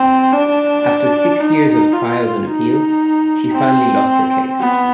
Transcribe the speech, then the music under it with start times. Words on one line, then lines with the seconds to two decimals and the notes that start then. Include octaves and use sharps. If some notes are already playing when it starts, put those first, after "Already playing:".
After six years of trials and appeals, she finally lost her case.
Already playing: C4
0.33 D4
1.40 D#4
1.93 F4
2.46 D#4
3.53 C4
4.59 B3